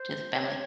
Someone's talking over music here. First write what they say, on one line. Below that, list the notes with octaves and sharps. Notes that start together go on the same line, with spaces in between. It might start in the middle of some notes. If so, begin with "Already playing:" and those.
to the family.
Already playing: C5
C#5